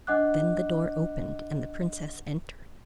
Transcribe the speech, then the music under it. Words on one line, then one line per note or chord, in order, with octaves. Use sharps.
Then the door opened, and the princess entered.
D4 D#5 F#5 D6 F#6